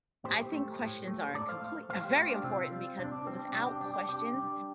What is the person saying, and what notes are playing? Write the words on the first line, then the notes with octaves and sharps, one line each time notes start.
I think questions are comple very important because without questions,
A2 G4 C5
A3
A2
A3
A2 A4 D5
C5 F5
A3
A2 C5 F5
G4 C5
A3 C5 F5
D4 G4
C3 C4 F4
G3
C3 D4
D4
G3 C4
D4
C3 D4 G4
D4 G4
G3 D4 G4
D4 G4
C3 D4 G4
G3